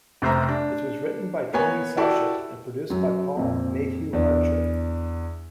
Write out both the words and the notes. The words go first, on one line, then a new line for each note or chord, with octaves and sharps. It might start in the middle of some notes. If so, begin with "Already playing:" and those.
It was written by Tony Sarchet and produced by Paul Mayhew-Archer.
F1 C3 C5 E5 A#5
D4
A#3 B3 C#5 G#5
E4 F#4 G4 A4 D5
F#2
F2 A#2 C4
E2 D4